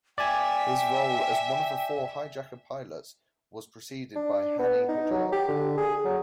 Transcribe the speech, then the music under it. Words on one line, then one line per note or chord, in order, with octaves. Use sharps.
His role as one of the four hijacker-pilots was preceded by Hani Hanjour.
D5 E5 G5 G#5
D4
B3
D#4
F#3
G4
D3
G#4
F#3